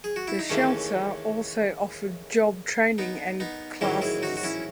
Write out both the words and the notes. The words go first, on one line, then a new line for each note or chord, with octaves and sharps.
The shelter also offered job training and classes.
G#4
F#4
E4
D#4
D#2 C#3 E3 A3 C#4
B3 D#4
B3 D#4
A1 G#2 D#3 F#3 C#4 E4
E4 G#4
D#4 F#4
F#4
C#4 E4